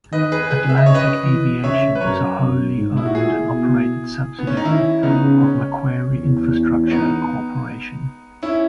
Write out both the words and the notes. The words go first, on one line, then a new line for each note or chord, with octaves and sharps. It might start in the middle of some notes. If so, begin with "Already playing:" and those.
Atlantic Aviation is a wholly owned and operated subsidiary of Macquarie Infrastructure Corporation.
D#3 B4 D#5
G#4 B4
G#4 B4
E5
D#5
C#3 C#5
B4 D#5
E3
C#3 C#5 E5
B4
F#2 A#4 C#5
F#2
G#2
E4
F#4
A#2 E4 G#4
B2
B3
C#4
D#4
D#3 C#4 E4
C#3 B3 D#4
C#4
E2
C#4
B3 D#4
C#4 E4